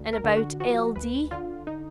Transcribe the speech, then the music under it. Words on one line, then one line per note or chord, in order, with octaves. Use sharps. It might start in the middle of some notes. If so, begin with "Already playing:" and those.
"And about L. D.?"
Already playing: D2
A#4
D3
F#4
F3 F#4
D2 B4
D3 F4
D#4